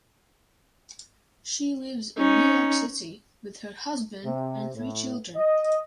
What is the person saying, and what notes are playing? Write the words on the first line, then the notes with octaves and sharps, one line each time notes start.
She lives in New York City with her husband and three children.
C#4 D#4
C3
A2
D#5